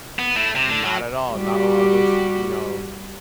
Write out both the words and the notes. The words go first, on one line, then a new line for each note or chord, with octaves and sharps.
Not at all. Not a lot of us, you know,
B3
A3 E4
C3
D3
F#3 F#4
G3 F#4 G4